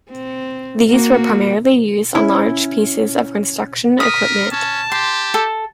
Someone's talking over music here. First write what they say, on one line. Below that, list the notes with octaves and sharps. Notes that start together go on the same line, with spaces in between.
These were primarily used on large pieces of construction equipment.
C4
A#3 F#4
C#4 E4
A#4 D#6 B6 D#7
C#4 A5
G4 C6
A4